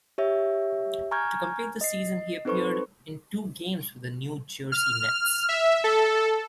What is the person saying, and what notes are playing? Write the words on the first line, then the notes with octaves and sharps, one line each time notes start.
To complete the season he appeared in two games with the New Jersey Nets.
G4 C#5 E5
G#5 A#5 C#6 F6 G6 G#6
D#5 C7
C4 D#4 A4 B4 C5 C#6
F6
E5
A4